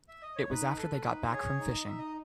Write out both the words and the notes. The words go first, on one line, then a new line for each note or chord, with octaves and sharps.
It was after they got back from fishing.
E5
D#5
C#5
D#4 B4
A4
D#4
G#4 C#5
D#4
D#5
D#4 E5
D#5